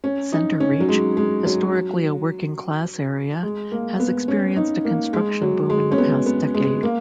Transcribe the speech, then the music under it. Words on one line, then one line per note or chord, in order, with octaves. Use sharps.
Centereach, historically a working-class area, has experienced a construction boom in the past decade.
C#4
D#4
C#4
F#3
G#3
G#3
F#3
G#3
A#3
B3
C#4
D#4
A#3
G#3
F#3
G#3
C#4
B3
B3
G#3
A#3